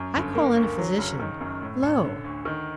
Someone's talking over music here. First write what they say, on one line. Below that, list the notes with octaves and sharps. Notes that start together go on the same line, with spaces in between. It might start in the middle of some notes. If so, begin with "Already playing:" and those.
I call in a physician; lo!
Already playing: F#2
G1
A#3
D2
F#3
F#1
D#3
F#2
A2
A1
D3
D2
D#3